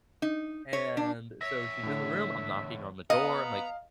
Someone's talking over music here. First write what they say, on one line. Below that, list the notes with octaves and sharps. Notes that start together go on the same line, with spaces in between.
and so, she's in the room, I'm knocking on the door, I'm like,
D#4
C#5
D4
E2 C#5 E5 A#6
A2 D3
B3 D#5 F5 A#5